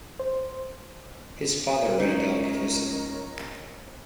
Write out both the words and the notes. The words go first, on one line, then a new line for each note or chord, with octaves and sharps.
His father ran a delicatessen.
C5
C#2 D#4 A#4 C#5 D#5